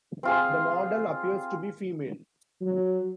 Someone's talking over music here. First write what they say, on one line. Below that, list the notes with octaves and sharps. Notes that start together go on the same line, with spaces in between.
The model appears to be female.
C4 F4 G#4
F#3